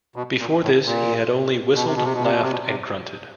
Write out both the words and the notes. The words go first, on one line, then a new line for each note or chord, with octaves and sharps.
Before this he had only whistled, laughed, and grunted.
B2
A#2
A2
A#2
B2
C3
B2
C3
B2
C3
B2
C3
B2
C3